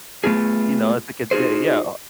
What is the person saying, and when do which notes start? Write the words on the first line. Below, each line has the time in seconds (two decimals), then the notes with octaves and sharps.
you know? It's a like a d yeah, uh
0.24 A3 B3 F4 G#4
1.31 D#4 F4 F#4 G#4 C5